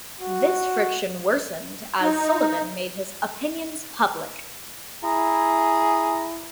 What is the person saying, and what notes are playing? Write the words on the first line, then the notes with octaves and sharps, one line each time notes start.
This friction worsened as Sullivan made his opinions public.
F#4
D#4
E4 G#4 A#5